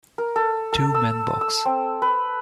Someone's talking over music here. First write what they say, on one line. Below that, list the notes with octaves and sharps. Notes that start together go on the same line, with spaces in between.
Two men box.
A#4
A4
A4
E6
E6
C4
B4